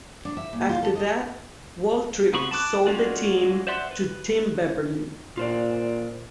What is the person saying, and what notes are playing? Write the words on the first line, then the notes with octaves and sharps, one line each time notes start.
After that, Waltrip sold the team to Tim Beverly.
D4
E5
A#2
F4
A4
D#5
C#3 B3 C4 B5 C#6
A5 B5 D6 F#6
G#3 C#4 F4 F#4 D5
C5 D5 E5 F#5 C6
B4
A#2 F4 C5 D5